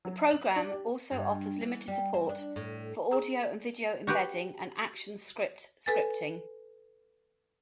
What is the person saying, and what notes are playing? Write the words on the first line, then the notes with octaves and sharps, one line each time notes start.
The program also offers limited support for audio and video embedding, and ActionScript scripting.
F#3
F#7
D4
G4
G2
E3
G3
C4
D4
A2
G#4 A#5
F#4 G4 B4
A4 B4 G#5 A6